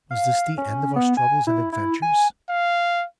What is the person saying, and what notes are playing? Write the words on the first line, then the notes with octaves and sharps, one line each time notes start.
Was this the end of our struggles and adventures?
F5
C#4
B3
G#5
E4
E4
G#5
F5